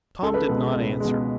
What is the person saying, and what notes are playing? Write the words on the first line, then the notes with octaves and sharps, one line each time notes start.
Tom did not answer.
C#2 A4
B4
B2 G#3 A4
C#2
G#3
B2